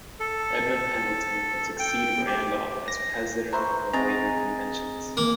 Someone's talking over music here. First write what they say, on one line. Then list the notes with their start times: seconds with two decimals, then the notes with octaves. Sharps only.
Edmund Pendleton would succeed Randolph as president of the later conventions.
0.20 A4
1.79 G5
2.26 G4
2.88 A#6
3.53 B4 C5 E5 A#5 C#6
3.93 C4 G#4 D#5 G#5 A#5 A6
5.17 A#3